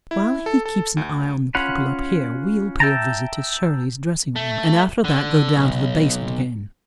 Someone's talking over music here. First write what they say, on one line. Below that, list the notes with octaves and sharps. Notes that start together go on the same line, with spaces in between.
While he keeps an eye on the people up here we'll pay a visit to Shirley's dressing room, and after that go down to the basement again.
E4
A4
A4
D2
C#4 F4 F#5 B5
E5 G5 A5 A#5
A3
D3
B1